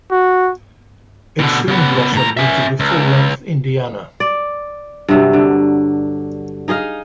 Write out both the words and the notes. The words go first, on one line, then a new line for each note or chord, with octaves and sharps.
It soon blossomed into the full-length "Indiana".
F#4
B2 D3
C#3 B3
A2 A#5
C#4 E5
C#2
D5
G2 C3 F#3
D3
D#4 G#4 D#5 F5